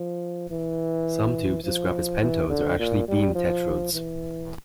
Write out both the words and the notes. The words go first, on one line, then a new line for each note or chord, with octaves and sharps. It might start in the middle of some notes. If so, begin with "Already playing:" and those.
Some tubes described as pentodes are actually beam tetrodes.
Already playing: F3
E3
F3
E3
D3
A#2
G3
F3
E3